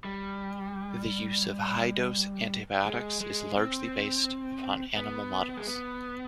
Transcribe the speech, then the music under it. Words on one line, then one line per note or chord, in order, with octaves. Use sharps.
The use of high-dose antibiotics is largely based upon animal models.
G3
G#3
G#3
C4
B3
G#3
B3